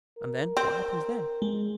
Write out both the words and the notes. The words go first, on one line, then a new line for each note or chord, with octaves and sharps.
"And then? What happens then?"
A#4
C4
G#3